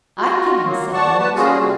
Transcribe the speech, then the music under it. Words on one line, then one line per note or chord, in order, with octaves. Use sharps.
"I can," said Oakes.
F4 F#4
F#3 A#3
D5 F#5 A5 C#6
B4 A5
G3 A#3 C#4 F4 F#4 G#4
C3 C4